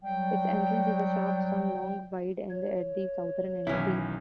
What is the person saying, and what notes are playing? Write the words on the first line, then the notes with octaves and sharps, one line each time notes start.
Its entrance is a shaft some long, wide, and at the southern end deep.
F#3 G3 G5
C#5
B1 D#3 E3 C#4 E4